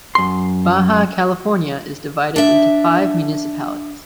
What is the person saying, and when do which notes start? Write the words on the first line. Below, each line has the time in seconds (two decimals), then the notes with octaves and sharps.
Baja California is divided into five municipalities.
0.15 F#2 C6
2.36 D4 E5